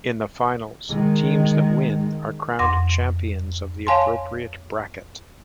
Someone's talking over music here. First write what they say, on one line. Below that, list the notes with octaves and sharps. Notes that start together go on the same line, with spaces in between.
In the Finals, teams that win are crowned champions of the appropriate bracket.
D#3 G#3
F2 C6 D6 A#6
C#5 F5 G#5 A5 C6